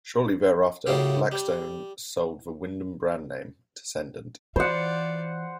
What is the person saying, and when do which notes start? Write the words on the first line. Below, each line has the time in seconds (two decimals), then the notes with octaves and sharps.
Shortly thereafter, Blackstone sold the Wyndham brand name to Cendant.
0.87 A2 C#3 F#3 F4 G4
1.32 G3
4.56 E3 F4 C5 D5 F#5